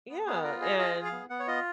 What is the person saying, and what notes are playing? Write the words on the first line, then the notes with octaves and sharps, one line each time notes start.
Yeah, and
B3
B3 G#4
F4 A#4
G#4 D#5
F4 D#5
G#4
F5
B3
B3 F#5
C#5
F4 D#5